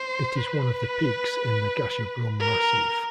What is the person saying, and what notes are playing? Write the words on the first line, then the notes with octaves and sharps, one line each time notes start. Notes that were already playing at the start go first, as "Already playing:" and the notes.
It is one of the peaks in the Gasherbrum massif.
Already playing: C5
B4
A#4